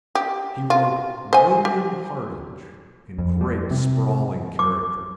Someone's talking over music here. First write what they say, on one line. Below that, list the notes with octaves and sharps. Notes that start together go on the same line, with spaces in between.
He wrote "William Hardinge" in great sprawling characters.
G4
F4
C5 G#5
G4
F2
G3
C3
D6